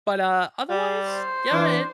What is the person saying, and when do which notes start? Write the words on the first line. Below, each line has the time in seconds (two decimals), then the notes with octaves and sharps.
But, uh, otherwise, yeah, it
0.70 G3
1.11 C5
1.52 E3 D4